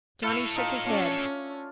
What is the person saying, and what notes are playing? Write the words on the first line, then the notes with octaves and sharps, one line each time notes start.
Johnny shook his head.
E4 A4 C#5 F5
D#4 F4
A3 C#4 D4 F4